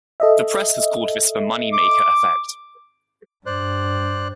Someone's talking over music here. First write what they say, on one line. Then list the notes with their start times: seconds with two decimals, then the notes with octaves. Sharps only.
The press has called this the Moneymaker effect.
0.20 A4 D#5 E5
1.73 D6
3.46 G2 C5 D5 F#6